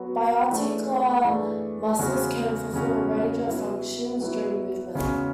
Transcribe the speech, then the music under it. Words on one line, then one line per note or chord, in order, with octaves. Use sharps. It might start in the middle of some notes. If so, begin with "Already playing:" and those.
Biarticular muscles can fulfill a range of functions during movement.
Already playing: F#3 B3 F#4
E3 A3 D4 G#4
E3 A3 D4 G#4
E2 C#3 G#3 C#4 F#4
E2 C#3 G#3 C#4 F#4
F#3 B3 E4
F#3 B3 E4
E2 C#3 G#3 C#4 F#4